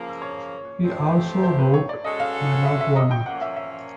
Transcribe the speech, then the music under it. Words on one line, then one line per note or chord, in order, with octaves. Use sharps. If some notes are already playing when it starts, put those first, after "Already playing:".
He also wrote Malaguena.
Already playing: C#3 F3 A#3
C#5
F3 A3 C4 E4 G4
C5
B4
C#5
D5
G#3 C#4 F#4 A4 D#5
F5
E5
E5
D#5
G5
A#2 F3 A#3 C#4 F#5
E5
E5